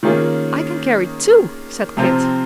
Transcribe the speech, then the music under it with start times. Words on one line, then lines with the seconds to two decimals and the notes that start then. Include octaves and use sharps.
"I can carry two," said Kit.
0.03 D#3 A#3 C#4 F4 G#4
1.97 C3 F3 C4 F4 C5